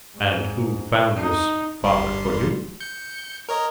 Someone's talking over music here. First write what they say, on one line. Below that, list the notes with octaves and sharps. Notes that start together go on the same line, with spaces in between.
"And who found this father for you?"
G#2
D#4
G1 G3 C6
G6 C#7
A#4 C#5 D#5